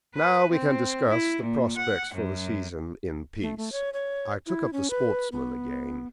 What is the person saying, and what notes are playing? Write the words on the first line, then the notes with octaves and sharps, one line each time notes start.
"Now we can discuss the prospects for the season in peace." I took up "The Sportsman" again.
B4
C4
E4
A#2
F#5
F#2
A3
A3
C#5
C#5
E4
C#4
B4
B3